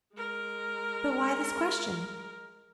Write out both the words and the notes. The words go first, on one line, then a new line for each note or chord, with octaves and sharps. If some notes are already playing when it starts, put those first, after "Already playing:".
"But why this question?"
G#3 A#4